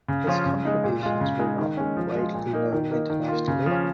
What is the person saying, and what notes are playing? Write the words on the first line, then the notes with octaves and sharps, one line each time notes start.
His contributions were not widely known internationally.
C#3
F3 C#4 F4
C#3
G#3 D#4
A#2
G#3 F4
C#3
G#3 D#4
D#3
G#3 C#4
F3
G#3 F4
A#2
A#3 D#4
D#3
A#3 D#4
D#3
A#3 F4
C#3
F3 C#4